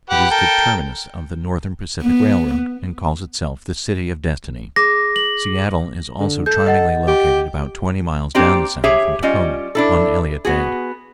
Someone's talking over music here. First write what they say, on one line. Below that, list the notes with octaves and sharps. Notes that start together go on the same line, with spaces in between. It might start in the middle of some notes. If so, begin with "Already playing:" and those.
It is the terminus of the Northern Pacific Railroad, and calls itself the "City of Destiny." Seattle is also charmingly located about twenty miles down the Sound from Tacoma, on Elliott Bay.
G4 B4 F#5
A4 A#4 G5
B3
G#4 D6 A#6
F#7
D3
A4 G6
D#5 F#5 A6
G4
A#3 C4 D4 G4
G4 G#4 C#5 E5
G3 C#4 F4 D#5
D4 E4 A4
B3 F#4 G#4